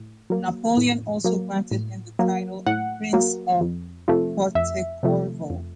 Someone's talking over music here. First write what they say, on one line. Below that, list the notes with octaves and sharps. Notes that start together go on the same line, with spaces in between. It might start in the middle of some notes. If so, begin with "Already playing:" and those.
Napoleon also granted him the title "Prince of Pontecorvo".
Already playing: A2
F#3 A#3
A2
F#3 A#3
A2
F#3 A#3
A2 F#5
F#3 A#3
F2
C3 F3 A3
F2 E5
C3 F3 A3
F2